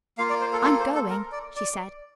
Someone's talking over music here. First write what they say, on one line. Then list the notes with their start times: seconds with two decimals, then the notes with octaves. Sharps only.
"I'm going," she said.
0.18 A#3 F4 F5
0.30 D5
0.41 C5
0.53 A4
0.63 A4
0.80 C5
0.95 A4
1.10 A#4
1.32 D5
1.56 D5